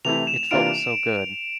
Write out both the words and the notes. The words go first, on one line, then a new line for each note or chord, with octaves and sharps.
It felt so good.
C3 E3 A3 C4 E4 F7
E7
C3 E3 A#3 D4 F4 D7